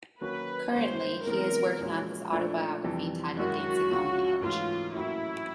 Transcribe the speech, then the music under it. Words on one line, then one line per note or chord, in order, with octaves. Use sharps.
Currently, he is working on his autobiography, titled "Dancing On The Edge".
D#3 F#3 A#3 C#4 F#4 B4
G2 D#3 G#3 C#4 F#4 C5
C3 E3 G#3 B3 A#4
A#2 F3 G#3 C#4 F#4
A#2 F3 A3 D4
F2 C3 E3 G3
F#2 D#3 G#3 C#4 E4 F#4
C#2 C#3 F3
G#2 E3 A3 C#4 F4
A2 F#3 A#3 C#4 E4 F#4